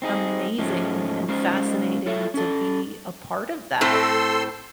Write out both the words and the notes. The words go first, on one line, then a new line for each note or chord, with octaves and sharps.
amazing and fascinating to be a part of that
C4 D#4 G#4
G#2 F3 G#3 A3 C#4
G#3 C#4 D#4 C5 F5
F4 A4 C#5 E5
C#4 A4
A2 A3 C4 A4 C6 E6